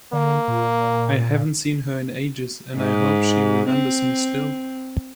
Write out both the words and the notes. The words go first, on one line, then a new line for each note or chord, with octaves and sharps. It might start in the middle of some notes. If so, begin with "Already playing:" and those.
I haven’t seen her in ages, and I hope she remembers me still!
D3 A#3
A#2
G#2
C4